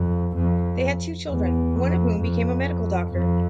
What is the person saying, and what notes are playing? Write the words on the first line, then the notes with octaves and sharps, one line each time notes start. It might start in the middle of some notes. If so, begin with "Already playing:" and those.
They had two children, one of whom became a medical doctor.
Already playing: F2
F2
E2
F2
F2
F2